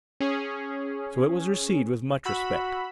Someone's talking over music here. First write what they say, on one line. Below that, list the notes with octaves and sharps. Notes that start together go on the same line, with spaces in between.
So it was received with much respect.
C#4 G#4
F#4 B5 E6